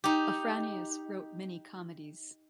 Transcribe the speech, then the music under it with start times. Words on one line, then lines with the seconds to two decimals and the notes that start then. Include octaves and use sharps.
Afranius wrote many comedies.
0.04 D#4 G4